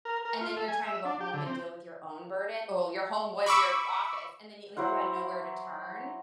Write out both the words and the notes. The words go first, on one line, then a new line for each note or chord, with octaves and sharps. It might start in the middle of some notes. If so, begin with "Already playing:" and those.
and then you're trying to go home and deal with your own burden Oh, your home was your office and then you like, you had nowhere to turn,
A#4
A#4
F4
A4
G#5
E5
D4
G4
D3
C4
B5 C#6 D6 E6
F#3 E4 C5 F#5